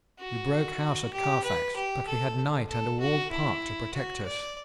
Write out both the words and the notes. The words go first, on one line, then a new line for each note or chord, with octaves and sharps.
We broke house at Carfax, but we had night and a walled park to protect us.
F#4
G4
B4
G4
A4
A4
F#4
E4
F#4
D5